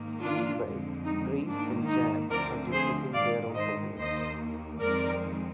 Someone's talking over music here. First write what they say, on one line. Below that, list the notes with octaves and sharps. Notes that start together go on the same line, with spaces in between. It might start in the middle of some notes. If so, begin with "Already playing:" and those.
Meanwhile, Grace and Jack are discussing their own problems.
Already playing: G#2 D#3 A#3
D4 F4
F2 D3 G#3 C4
D#4
G#2 D#3 A#3 D4
D#4
D2 D3 F3 C4 A#4 D5
G#4 C5
G#2 D#3 G#3 D5 F5
C5 D#5
D#2 D#3 A#3 C5 D#5
F2 D#3 G#3 C4 A#4 D5